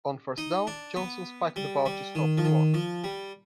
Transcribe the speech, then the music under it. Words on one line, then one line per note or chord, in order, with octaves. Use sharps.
On first down, Johnson spiked the ball to stop the clock.
D#4
D4
B3
G3
G3
D#3
F3
D#3
F3
G3